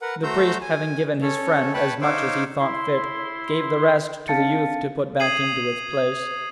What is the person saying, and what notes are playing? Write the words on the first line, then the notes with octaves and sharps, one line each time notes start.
The priest, having given his friend as much as he thought fit, gave the rest to the youth to put back into its place.
A#4 B4 F#5
A3 F#4 C5 A#5 E6 G6
G#5
C#4 A4 C#5
B4 C#5 G5 A5 B5
D#4 C5 C#5 F5 D6 E6
E4 C6
C4 D4 F5 A5 A6 C#7
D#6 G#6 C7 D#7 F#7